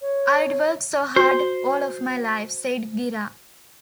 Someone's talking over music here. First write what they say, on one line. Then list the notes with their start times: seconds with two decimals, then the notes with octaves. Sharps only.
"I'd worked so hard all my life", said Gira.
0.01 C#5
1.16 F#4 C5